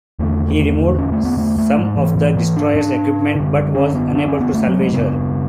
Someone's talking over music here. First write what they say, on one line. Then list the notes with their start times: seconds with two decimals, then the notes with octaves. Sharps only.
He removed some of the destroyer's equipment but was unable to salvage her.
0.19 E2 D3 A3
0.98 C#4
1.12 A3
1.25 B3
1.38 A3
1.58 A3
1.77 G#2 G#3
1.97 E3
2.17 E3
2.37 E3
2.57 D4
2.76 D4
3.36 F#2 D3
3.75 C#4
3.95 B3
4.15 D4
4.28 C#4
4.41 B3
4.54 A3
4.67 F#3
4.80 G#3
4.93 F#2 C#3 B3